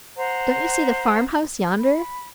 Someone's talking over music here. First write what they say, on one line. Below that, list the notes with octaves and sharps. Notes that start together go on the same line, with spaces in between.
Don't you see the farm-house yonder?
C5 F#5 A#5
B5